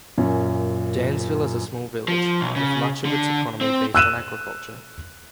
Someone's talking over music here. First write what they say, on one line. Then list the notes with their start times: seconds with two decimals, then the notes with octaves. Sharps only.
Dansville is a small village, with much of its economy based on agriculture.
0.18 F#2 A#2 C#4
2.08 F3
2.41 B1
2.56 C#3
3.05 D3
3.61 C4
3.95 E6 F#6 D#7 E7